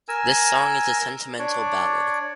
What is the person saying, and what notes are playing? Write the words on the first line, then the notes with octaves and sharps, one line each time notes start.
The song is a sentimental ballad.
A#4 G#5 E6
D4 C#5 D5